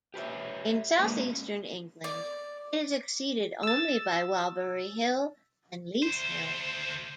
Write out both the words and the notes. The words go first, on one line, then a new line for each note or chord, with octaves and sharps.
In southeastern England it is exceeded only by Walbury Hill and Leith Hill.
G4 B4 C#5 E5
G#3 A#3 C#4 D4 G4 B4
D5
E6 A6
D2 C5